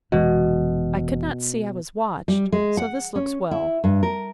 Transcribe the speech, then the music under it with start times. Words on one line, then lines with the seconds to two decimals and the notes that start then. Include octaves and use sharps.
I could not see I was watched; so this looks well.
0.12 F1 B2 E3 G#3
2.28 G3
2.52 G#3
2.77 F#5
3.16 C#4
3.51 E4
3.84 G2
4.03 A#4